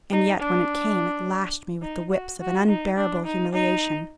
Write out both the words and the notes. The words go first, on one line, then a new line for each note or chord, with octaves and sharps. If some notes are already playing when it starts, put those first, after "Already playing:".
And yet, when it came, it lashed me with the whips of an unbearable humiliation.
D#4
D4
D#4
F#4
F#4
D#4
D4
D#4
D#4